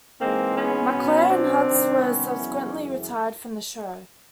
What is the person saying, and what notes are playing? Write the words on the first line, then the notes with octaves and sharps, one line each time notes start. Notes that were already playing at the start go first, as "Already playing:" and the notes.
McClure and Hutz were subsequently retired from the show.
G#2 E3 G#3 A#3 C4
B3 C#4
B2 F#3
C4 D4
C3 D#3 G3
B3 C#4
F#2 C#3 E3